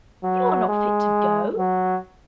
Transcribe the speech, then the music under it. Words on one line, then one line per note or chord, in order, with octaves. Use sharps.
'You are not fit to go.
F#3
G#3
F#3